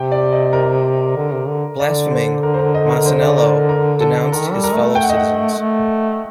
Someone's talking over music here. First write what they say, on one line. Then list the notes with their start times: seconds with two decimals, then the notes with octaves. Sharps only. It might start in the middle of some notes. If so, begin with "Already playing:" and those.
Blaspheming, Masaniello denounced his fellow-citizens.
Already playing: C3 G5
0.12 D5
0.33 D#5
0.53 A#4
1.17 D3
1.32 C3
1.48 D3
1.79 D3 D5
2.11 C5
2.43 A#4
2.54 C5
2.59 A#4
2.75 D#5
2.91 A#4
3.06 C5
3.21 D5
3.38 A#4
3.53 A#4
3.69 A#4
4.00 A4
4.32 D#3 A#4
4.53 G3
4.64 A#4
4.74 A3
4.95 G5
5.03 F#5
5.10 D#5
5.17 F#5
5.59 A3